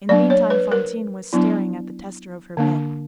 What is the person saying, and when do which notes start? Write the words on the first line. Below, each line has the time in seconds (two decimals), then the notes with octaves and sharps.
In the meantime, Fantine was staring at the tester of her bed.
0.09 F#3 A#3 D4 D5
0.30 C#5
0.50 B4
0.72 A#4
1.33 F#3 B3 D4 E4
2.57 D3 A#3 D4